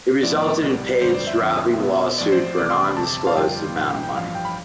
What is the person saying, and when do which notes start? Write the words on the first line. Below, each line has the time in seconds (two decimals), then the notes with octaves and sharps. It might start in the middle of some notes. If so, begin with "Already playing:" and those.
It resulted in Page dropping the lawsuit for an undisclosed amount of money.
0.23 A2 F3 B3 E4 D5
0.62 C2 B2 G3
1.01 G1 F2 D3 G3 C5
1.15 D5
1.27 E5
1.40 F2 D3 F3 C4 F4 E5
1.80 B2 B3 F4
2.18 A1 A2 F3 C4 D5
2.32 C5
2.58 C2 C3 E3 A3 D5
2.66 D6
2.71 C6
2.84 B5
2.97 G1 F2 C3 A5
3.27 F5
3.37 F2 D3 G3 D4 F4 G5
3.76 B1 A2 E3
4.03 G5
4.15 A1 G2 F3 F5
4.35 G5
4.45 B5